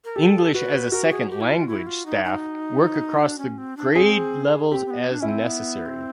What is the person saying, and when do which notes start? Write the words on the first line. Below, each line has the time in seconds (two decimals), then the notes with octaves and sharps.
English as a Second Language staff work across the grade levels as necessary.
0.05 A#4
0.16 G4 A4
0.54 F#4 B4
0.92 F#4 A#4
1.04 G4
1.11 G#4
1.30 G4
1.41 E4
1.49 F4
1.68 E4
1.87 F4
2.06 D#4
2.25 D#4
3.20 D4
3.38 C#4
3.58 C4
3.77 D4
3.95 C4 G#4
4.71 C4 G4
4.86 C4
4.90 B3
5.11 D4
5.20 C#4 E4
5.28 C4
5.47 B3
5.86 C4